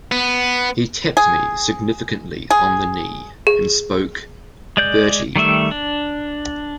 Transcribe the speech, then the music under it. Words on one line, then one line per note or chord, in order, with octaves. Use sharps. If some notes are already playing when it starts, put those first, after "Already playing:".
He tapped me significantly on the knee and spoke: "Bertie."
B3
G#4
G#4
G#4
G#3 D5 G6
D#3 G3 A3 E5
D4